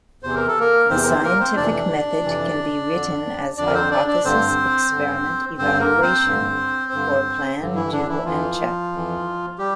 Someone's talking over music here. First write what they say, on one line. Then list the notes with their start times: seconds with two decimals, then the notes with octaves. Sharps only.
The scientific method can be written as "hypothesis"-"experiment"-"evaluation" or plan, do and check.
0.23 E2 C3 E3 C5
0.35 A#4
0.47 A4
0.60 A#3 A#4
0.90 E2 C3 E3 C4 C5
1.02 A#4
1.07 C4 C5
1.23 A#3 A#4
1.40 C4 C5
1.56 F2 C3 E3 D4 D5
2.24 F2 C3 E3
2.91 F2 D3
3.57 F2 D3 D4 D5
3.67 A#4
3.74 C4 C5
3.91 D4 D5
4.08 D4 D5
4.24 G2 D3 C4 C5
4.91 G2 D3
5.57 G2 D3 C4 C5
5.80 A#3 A#4
6.02 C4 C5
6.25 G2 D3
6.92 G2 D3
7.58 G2 D3
7.75 E3 E4
7.92 D3 D4
8.08 E3 E4
8.25 F2 E3 F3 F4
8.92 F2 E3
9.58 G3 G4